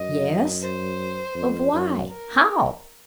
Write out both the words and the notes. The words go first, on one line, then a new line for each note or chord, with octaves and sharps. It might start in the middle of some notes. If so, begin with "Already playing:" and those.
"Yes, but why--how?"
Already playing: F#2 D#5
C5
F2
F#2
A#4